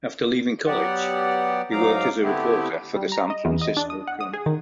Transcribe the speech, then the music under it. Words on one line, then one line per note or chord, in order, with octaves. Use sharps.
After leaving college, he worked as a reporter for the "San Francisco Chronicle".
F#3 B3 G4 D5 F#5
G#2 F#3 D#4 F5 A#5 D6
D3 A3 B3 C4 E4 G4
G3
A#5
D#5
E2
D#5
D4
D#6
F#5
D#6
G#4
D#3